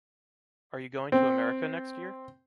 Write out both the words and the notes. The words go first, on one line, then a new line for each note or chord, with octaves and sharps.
Are you going to America next year?
C4